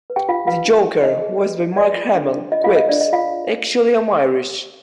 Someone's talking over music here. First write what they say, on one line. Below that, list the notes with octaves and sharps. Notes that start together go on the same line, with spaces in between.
The Joker, voiced by Mark Hamill, quips, Actually I'm Irish.
B4
G4 G5
F4 F5
F4 B4 F5
D#4
D#4
D#4 D#5
G#4
B4
D#4
B4 D5
F4
D4
D4
F4 D#5
F4 F5
B4
D#5
D4 D5
D#5
G#4
F4 F5